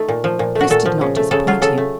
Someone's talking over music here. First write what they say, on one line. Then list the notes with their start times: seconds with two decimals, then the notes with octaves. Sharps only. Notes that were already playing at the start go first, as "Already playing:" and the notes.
Chris did not disappoint him.
Already playing: A3 D#4
0.08 A#2
0.24 F3
0.39 A#2
0.55 A3
0.61 F#4
0.70 A#2 A4
0.86 F3
1.01 C#3
1.16 A3
1.31 C#3 A4
1.47 F#3 F4
1.62 C#3 A4
1.78 A3